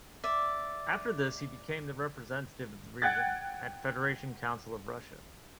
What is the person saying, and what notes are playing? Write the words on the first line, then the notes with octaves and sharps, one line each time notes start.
After this he became the representative of the region at Federation Council of Russia.
D5 E5
F#5 G5 F#6 G#6 A6